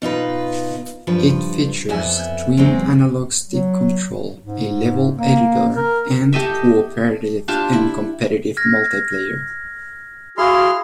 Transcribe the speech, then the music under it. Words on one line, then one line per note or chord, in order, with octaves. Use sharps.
It features twin analogue stick control, a level editor and co-operative and competitive multiplayer.
B2 D#4 F4 B4
G2 F3 B4
F2 B3 E5 G#5
E2 F#3 G#3 C4
F#3
G#2
A#3
A#4
G4 A4 D#5 E5
D4 F4 G4 A5
E4
F6 G#6 A#6
E4 F#4 G#4 F5 C6 E6 F6